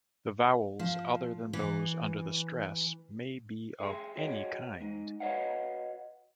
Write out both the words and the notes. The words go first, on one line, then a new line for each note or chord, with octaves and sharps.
The vowels other than those under the stress may be of any kind.
F3
E3
G#4 E5 G5 C6
F#4 G#4 C#5 D#5 G5
G#3 D#4
F#4 B4 C#5 D#5 F5 F#5